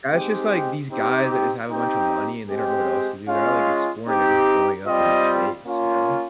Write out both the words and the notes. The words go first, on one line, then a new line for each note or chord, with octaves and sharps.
that's just, like, these guys that just have a bunch of money and they don't know what else to do, they're not, like, exploring, they're just going up into space, you know?
G#3 C4 D#4 G4
C4 D#4 G4
C4 D#4 G4 G5
G#3 C4 G4
G#3 C#4 F4 F5
C4 D#4 G4
G3 C4 F4 D#5
A#3 C#4 F4